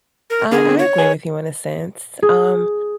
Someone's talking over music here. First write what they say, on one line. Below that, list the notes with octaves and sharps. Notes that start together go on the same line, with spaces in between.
I I agree with you in a sense, um,
A#4
D3 B3 G#4 A#4
C#5
G#4 B4 G#5
G#4